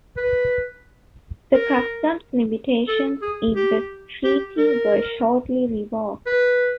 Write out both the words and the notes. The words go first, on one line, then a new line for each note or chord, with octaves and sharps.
The customs limitations in the treaty were shortly reworked.
B4
A#4
A4
G#4
G4
G4
A#4
B4